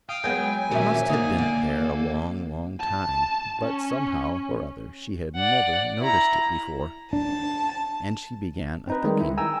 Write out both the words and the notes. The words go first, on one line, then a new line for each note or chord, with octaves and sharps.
It must have been there a long, long time, but somehow or other she had never noticed it before, and she began a-thinking.
F5 G5 D#6 F6
F#3 G#3 B3 G#5 G6
D#2 A#2 F3 C#4 F#4 A#4 E5
D3 A#3 D#4
D3
A5
C#4
D5 F#5
E4 A#5
D4 A5
C4 D#4 B4
D#3 G3 G#3
E4
G5 G#5 A#5 E6